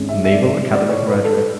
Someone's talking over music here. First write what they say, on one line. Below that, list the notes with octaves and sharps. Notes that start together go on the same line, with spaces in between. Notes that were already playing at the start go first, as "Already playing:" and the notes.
Naval Academy graduate.
Already playing: G#1 G#2 G#3 C#4
E5
E5
D5
D5
C#5
B4
A4